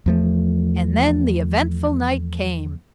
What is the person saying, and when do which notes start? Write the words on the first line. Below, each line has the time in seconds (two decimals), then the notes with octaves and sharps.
And then the eventful night came.
0.06 E2 F3 A3